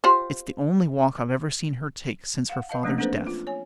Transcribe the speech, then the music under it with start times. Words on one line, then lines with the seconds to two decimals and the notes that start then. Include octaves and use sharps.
It's the only walk I've ever seen her take since her father's death.
0.04 F4 G4 C5
2.49 F5 F#5
2.69 B4 D#5 F5 A5
2.83 F3 F#3 A3 A#3 C#4 D4
2.98 A#3 C4 D4 A4 B4 C5
3.27 F4
3.47 C#5 G#5